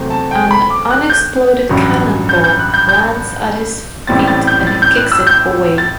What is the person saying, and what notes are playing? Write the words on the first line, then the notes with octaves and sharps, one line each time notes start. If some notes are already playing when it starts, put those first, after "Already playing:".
An unexploded cannonball lands at his feet and he kicks it away.
Already playing: E2 C3 F#3 A3 C4
A5
G5
B5
D6
F#6
G6
A1 G2 F#3
G6
G6
F#6
G6
G6
A1 A2 G3 C4 A6
A6
G6
A6
G6
F#6
E6
G6
A6